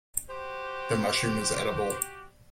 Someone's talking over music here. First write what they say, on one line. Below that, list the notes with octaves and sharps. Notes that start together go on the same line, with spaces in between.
The mushroom is edible.
F#4 G4 C5